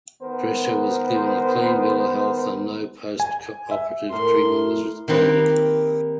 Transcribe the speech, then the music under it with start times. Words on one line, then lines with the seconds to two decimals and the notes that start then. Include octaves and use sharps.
Drescher was given a clean bill of health and no post-operative treatment was ordered.
0.22 D#3 B3 A#4 C5
3.20 G#5
3.71 E5
4.12 A2 A#4 C5 C6
5.08 D#3 A#3 C4 G4 B4